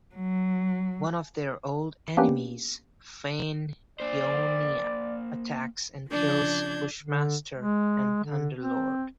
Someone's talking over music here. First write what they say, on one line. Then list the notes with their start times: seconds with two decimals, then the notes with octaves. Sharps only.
One of their old enemies, Fain Y'Onia, attacks and kills Bushmaster and Thunderlord.
0.15 F#3
2.17 A#3 B3 C#4 D4 G4 B4
4.00 A#3 C5 D5
6.09 C#3 F3 D4 G6 G#6
7.02 D3
7.57 G#3
8.24 D3
8.57 C4